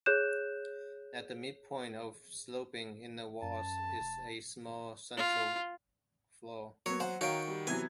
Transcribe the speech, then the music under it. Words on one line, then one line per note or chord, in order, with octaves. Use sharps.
At the midpoint of the sloping inner walls is a small central floor.
G#4 C#5 F#6 G6 E7
F#2 A5
F1
F4
F#3 A#3 B3 C#5
C5 F#5
D#3 F#4 C#5 F5 G5 A#5
G3
C3 E3 F#3 B3 G#5 G#6